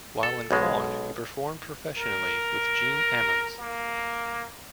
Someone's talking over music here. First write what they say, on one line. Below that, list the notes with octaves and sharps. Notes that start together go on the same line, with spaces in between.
While in college, he performed professionally with Gene Ammons.
A4
B1 B2 G#3
A#4
A#3